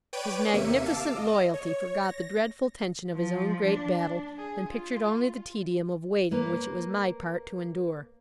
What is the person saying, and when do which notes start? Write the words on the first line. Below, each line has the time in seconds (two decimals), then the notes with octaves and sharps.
His magnificent loyalty forgot the dreadful tension of his own great battle, and pictured only the tedium of waiting which it was my part to endure.
0.13 B4 C#5 D5 G5 D7 D#7
0.54 D#2 C3 A#3 E5 C#7 D#7
0.85 F5 A5 D6 E6
1.16 D#5
1.54 C#5
2.03 A#6
3.16 F3
3.65 D4
4.38 G#4
4.70 F4
6.31 A#3 B4 C#5